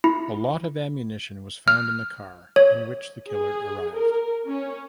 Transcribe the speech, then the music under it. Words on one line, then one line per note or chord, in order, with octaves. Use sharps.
A lot of ammunition was found in the car in which the killer arrived.
E4
F6
C#5
G#4
A#4
C#4